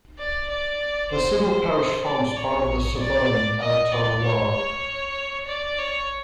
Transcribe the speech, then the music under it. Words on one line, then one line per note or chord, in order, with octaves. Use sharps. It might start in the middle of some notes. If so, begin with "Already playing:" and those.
The civil parish forms part of 'Severn' electoral ward.
D5
D5
C5
C5
D5
C#5
D5
D#5
D5
C#5
C#5
D5
C#5